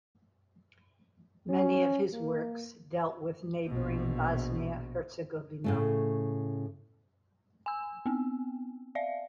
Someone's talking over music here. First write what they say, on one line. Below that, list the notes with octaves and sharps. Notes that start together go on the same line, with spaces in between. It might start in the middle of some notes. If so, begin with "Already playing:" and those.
Many of his works dealt with neighbouring Bosnia-Herzegovina.
C#4
A#3
A#1 B2
A2 C#3 A3
G#5 E6
B3 C4
D5 E5 F5